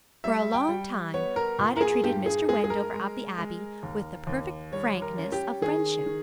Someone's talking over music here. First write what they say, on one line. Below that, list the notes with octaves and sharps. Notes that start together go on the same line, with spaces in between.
For a long time Ida treated Mr. Wendover of the Abbey with the perfect frankness of friendship.
G3 E5
G5
G3
B3 C#5
A#4
A#2
A#4
G#4
G2 G4
G#4
G#3 G#4
G#4
A#4
G#3
G#3
D#2
D#2
G3 C#5
A#4
C#4
G4
D#3 G#4
D#3